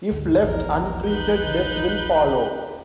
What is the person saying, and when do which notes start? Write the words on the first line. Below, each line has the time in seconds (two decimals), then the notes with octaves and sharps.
If left untreated death will follow.
0.11 D2 G#2
0.44 D#1 A#1 E2 A#4
1.07 D#4 B4 F#6 G6